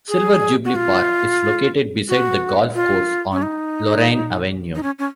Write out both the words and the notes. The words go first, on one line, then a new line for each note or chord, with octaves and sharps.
Silver Jubilee Park is located beside the golf course on Lorraine Avenue.
G#4
F#4
F4
F#4
F4
C#4
D#4
D#4
C#4
C#4